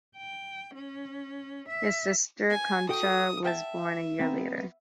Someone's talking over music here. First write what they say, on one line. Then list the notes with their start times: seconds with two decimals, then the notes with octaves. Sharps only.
His sister, Concha, was born a year later.
0.16 G5
0.75 C#4
1.69 E5
2.50 G#5
2.89 F#4 A4 G5 D#6
3.45 E5 F#5 G5 A5
4.20 B3 C4 A#5